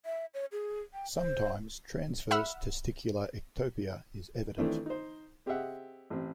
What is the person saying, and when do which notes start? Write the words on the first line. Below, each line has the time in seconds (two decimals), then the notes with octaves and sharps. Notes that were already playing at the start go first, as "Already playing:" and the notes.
Sometimes, transverse testicular ectopia is evident.
0.05 E5
0.34 C#5
0.52 G#4
0.93 G5
1.16 C5
2.31 E5 F#5 B5 E6 F6
4.58 D#3 E3 A3 C4 D4 E4
4.86 D#4 C5
5.46 C4 G4 G#4 D#5 E5 F#5
6.10 A1 C4